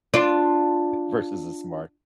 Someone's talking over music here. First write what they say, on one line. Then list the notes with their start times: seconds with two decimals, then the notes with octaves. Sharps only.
Versus the smart
0.14 D4 F4